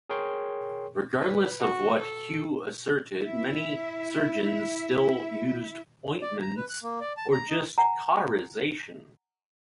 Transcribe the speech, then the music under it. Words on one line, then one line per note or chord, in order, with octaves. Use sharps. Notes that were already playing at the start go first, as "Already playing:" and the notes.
Regardless of what Hugh asserted, many surgeons still used ointments, or just cauterisation.
G#4 A#4 C#5 G5 C6 C#6
B4
F#4
A4
E4 E5
D5
A#5
B4
F#6
A#3
D5
A5
A#5
D#4
F#5 G#5 A#5